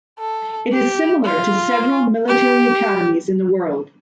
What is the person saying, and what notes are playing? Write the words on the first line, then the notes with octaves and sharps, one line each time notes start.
It is similar to several military academies in the world.
A4
G4
F4
G4